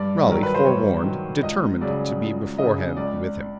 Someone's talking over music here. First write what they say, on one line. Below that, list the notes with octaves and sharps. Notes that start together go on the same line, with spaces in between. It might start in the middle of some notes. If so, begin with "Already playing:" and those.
Raleigh, forewarned, determined to be beforehand with him.
Already playing: G2 D5
D#3 F#3 A#4
B4
C5
G2 C#5
D#3 F#3
C#2 D#5
C#3 F#3 D5
C#2
C#3 F#3 D#5
C#2 D5